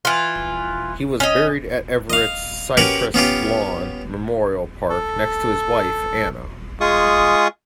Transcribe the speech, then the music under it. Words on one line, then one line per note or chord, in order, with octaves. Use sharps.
He was buried at Everett's Cypress Lawn Memorial Park next to his wife, Anna.
E3 F4
C#4 D#5
D#5 F5
C#4 F#4 G4 A#4 B4
B3 C#4 F4 G4
A4
G#3 F4 G#4 C#6 D#6